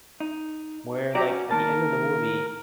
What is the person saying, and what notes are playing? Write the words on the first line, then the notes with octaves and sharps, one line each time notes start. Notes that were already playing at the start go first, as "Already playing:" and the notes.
Where, like, at the end of the movie
D#4
F#3 F#4 G4 D5 A#5
C#4
D#3 A#3 A#4 A5